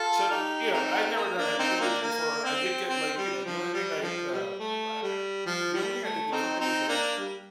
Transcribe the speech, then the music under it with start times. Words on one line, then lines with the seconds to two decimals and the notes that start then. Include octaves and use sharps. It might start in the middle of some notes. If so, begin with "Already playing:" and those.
So, you know, I'd never done a cruise before. I did get, like, you know the only thing I'd, uh, b I I uh, the only thing I did differently was I
Already playing: F4 A4
0.30 D#4 G4
0.73 C4 D#4
1.16 A#3
1.37 A#3 D4
1.59 C4 D#4
1.80 A#3 D4
2.02 A#3
2.44 C4
2.88 C4
3.17 G3
3.45 F3
3.74 G3
4.02 F3
4.32 G3
4.60 A3
5.02 G3
5.46 F3
5.74 G3
6.04 A3
6.32 C4 D#4
6.60 C4 D#4
6.88 A#3 D4
7.18 G3